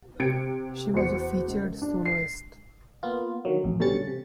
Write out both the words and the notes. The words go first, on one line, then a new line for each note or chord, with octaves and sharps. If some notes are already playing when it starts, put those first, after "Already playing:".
She was a featured soloist.
C3 G#6 C#7 D7
E2 F#4 C5 C#7
C#2
D4
C7
A#3 B3 F4
D3 D#3 F#3
A1 F2
B2 D3 G3 C#4 A6 C#7
C3